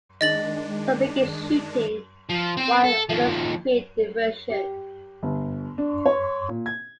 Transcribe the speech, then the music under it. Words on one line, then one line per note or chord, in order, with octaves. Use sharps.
Some begin shooting while others create a diversion.
D#3 G#3 D4 D#5 A6 F#7
F3
C4 C5
A4
D#2 F3
G4
G1
D4
C#5
A#2
G#6